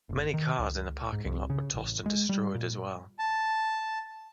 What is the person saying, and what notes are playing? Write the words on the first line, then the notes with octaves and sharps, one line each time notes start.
Many cars in the parking lot were tossed and destroyed as well.
F#1
D#3
C#2
G#2
C2
C#3
A1
G#3
G3
A#2
A5